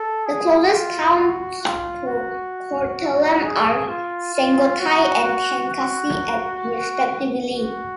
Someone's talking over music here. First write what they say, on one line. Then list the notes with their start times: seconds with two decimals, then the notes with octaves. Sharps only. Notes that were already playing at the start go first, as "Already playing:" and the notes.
The closest towns to Courtallam are Sengottai and Tenkasi at respectively.
Already playing: A4
0.26 G#4
0.72 F4
1.17 F#4
1.63 F4
2.07 F#4
3.43 G#4
3.88 F4
4.34 F4
4.80 F#4
5.24 F#4
5.70 F#4
7.52 F#4